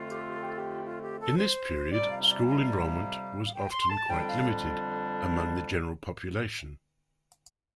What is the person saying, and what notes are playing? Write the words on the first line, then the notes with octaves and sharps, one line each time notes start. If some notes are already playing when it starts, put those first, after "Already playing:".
In this period school enrollment was often quite limited among the general population.
Already playing: F2 D3 A3 F4
G4
A4
G4
A4
G4
A4
G4
F4
G4
A4
C5
F2 C3 G3 D5
F5
F5
D5
F5
F5
D5
F5
F5
G5
C6
A5
F2 D3 G3 D4 G5
F5